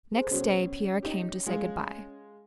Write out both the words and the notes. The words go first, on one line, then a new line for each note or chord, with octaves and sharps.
Next day Pierre came to say good-by.
G#4 A4 C5
B2 F#3 C#4 C#5
D#4 G4
G#3 F4 G#4